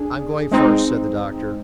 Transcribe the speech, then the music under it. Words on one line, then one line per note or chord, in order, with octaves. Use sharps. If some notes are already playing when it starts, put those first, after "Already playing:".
"I'm going first," said the doctor.
Already playing: D4 G#4
G#3 C4 D#4